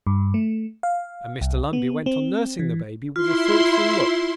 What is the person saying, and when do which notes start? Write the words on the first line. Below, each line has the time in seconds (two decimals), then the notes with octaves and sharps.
And Mr Lumbey went on nursing the baby with a thoughtful look.
0.07 G2
0.34 A3
0.83 F5
1.41 C2
1.73 B3
2.06 C4
2.59 E3
3.16 E4 F4 C6